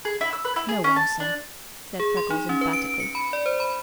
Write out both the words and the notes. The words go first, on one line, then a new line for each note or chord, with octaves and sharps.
"No one, sir," said Freckles emphatically.
G#4
E4
E6
B4
E4
G#4
C#4
A5
D4
G#4
C6
D#4
C#4
B4
D7
C#7
B5
D5
C5
B5